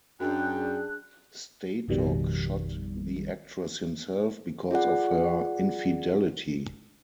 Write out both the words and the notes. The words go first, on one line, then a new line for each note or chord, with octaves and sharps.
Statoc shot the actress himself because of her infidelity.
F#2 D4 G#4 G5 F#6
A1 F2 B2 D#3 G3
F4 G#4 D5 F#5